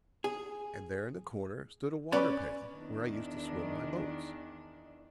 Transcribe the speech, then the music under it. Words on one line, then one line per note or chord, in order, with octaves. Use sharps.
'And there in the corner stood a waterpail, where I used to swim my boats.'
G#4
C#4 B4 C#5 D5 B5
E2 D#3 D4